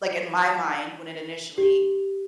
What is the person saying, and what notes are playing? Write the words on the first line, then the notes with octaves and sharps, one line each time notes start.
like, in my mind, when it initially
G4